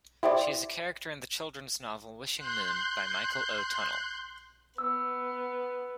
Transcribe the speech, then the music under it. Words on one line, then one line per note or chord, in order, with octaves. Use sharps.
She is a character in the children's novel "Wishing Moon" by Michael O. Tunnell.
E4 G4 C5 D5
C6 F#6 G6
B3 E6